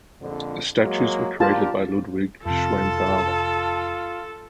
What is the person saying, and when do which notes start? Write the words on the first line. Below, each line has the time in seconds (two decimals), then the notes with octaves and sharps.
The statues were created by Ludwig Schwanthaler.
0.21 A#1 F2 D3
0.83 F#3 G#3 A#3
1.40 D4 F4 G4 A#4 A5
2.46 F2 C3 F4 A4 A5